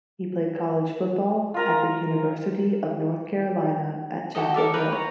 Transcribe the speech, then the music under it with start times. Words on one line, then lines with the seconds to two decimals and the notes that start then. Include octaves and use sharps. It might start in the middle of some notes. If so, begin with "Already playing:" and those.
He played college football at the University of North Carolina at Chapel Hill.
1.54 F4 A#4 A#5
4.35 F#4 G4 A4 D#5
4.54 A4 A#4 D5 E5
4.73 A#4 B4 F5 G5
4.92 C#5 A#5